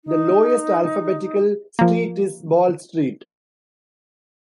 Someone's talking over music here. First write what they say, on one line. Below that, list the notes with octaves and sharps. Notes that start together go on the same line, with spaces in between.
The "lowest" alphabetical street is Ball Street.
D#4
F3 A#3